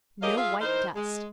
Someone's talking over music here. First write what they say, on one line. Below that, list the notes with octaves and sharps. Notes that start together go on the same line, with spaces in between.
No white dust.
F#3 G4 G#4 A#4 D#5 F5
F4 G#4 E5 F5
E3 D#4 A#4 C5
G#3